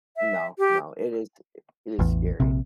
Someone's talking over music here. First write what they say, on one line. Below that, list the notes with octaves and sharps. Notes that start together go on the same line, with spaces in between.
No, no, it is it is scary.
E5
G4
A1 E2
A#1 C3